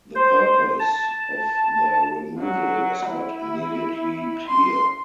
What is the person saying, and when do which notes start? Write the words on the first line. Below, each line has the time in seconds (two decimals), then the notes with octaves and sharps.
The purpose of the removal was not immediately clear.
0.15 C5
0.79 A5
2.39 F#3
3.07 E4
4.48 C6